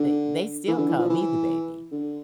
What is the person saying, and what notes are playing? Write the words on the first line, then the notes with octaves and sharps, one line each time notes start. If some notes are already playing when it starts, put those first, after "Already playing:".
they they still call me the baby.
Already playing: D3
E3
D3
E3
F3
E3
D3